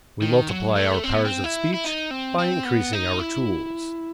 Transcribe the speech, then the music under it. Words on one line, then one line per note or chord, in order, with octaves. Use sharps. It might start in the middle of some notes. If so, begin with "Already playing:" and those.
We multiply our powers of speech by increasing our tools.
D#3
F#3
A3
C4
B3
C4
E4
E4
D#4
C4
C4
B3
D#4
E4